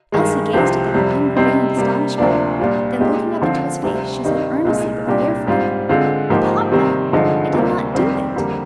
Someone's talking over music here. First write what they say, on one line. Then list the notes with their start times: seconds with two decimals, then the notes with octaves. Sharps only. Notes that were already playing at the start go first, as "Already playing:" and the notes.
Elsie gazed at them in unfeigned astonishment; then looking up into his face, she said earnestly but fearfully, "Papa, I did not do it."
0.12 G2 D#3 G#3
0.53 C2 C3 F3 C4 G4
0.94 F2 C3 G3
1.35 C3 G3 C4 D#4
1.77 C3 G3 A#3
2.18 D2 C3 F3 A#3 D4
2.59 A#2 G3 D4 F4
3.00 A#2 G#3 D#4 G4
3.42 D3 F3 C4 F4
3.83 D2 C3 G3 C4
4.24 G2 D#3 G3 C4 D#4
4.65 C2 A#2 G#3 D#4
5.07 C2 A#2 G3 D4 G4
5.47 G#2 G3 C4 F4
5.89 D3 G#3 C4 F4
6.30 G#2 F3 A#3 D#4 G4
6.72 C3 D#3 G3 C4
7.12 G2 D3 F3 G#3 D#4
7.53 D2 C3 G3 A#3
7.94 F2 D#3 G3 C4 G4
8.36 F2 D3 G3 A#3